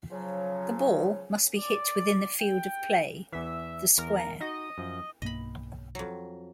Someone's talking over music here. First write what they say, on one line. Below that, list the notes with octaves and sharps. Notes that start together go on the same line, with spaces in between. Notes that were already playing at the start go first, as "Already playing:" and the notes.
The ball must be hit within the field of play - the square.
C#3 F3 F#3
D5
G5
E2 E3 E5
E2 A#4
D#4 F#4 D#5
F#2 F3
B1 G2 A#3 D#5 B5
F2 F#3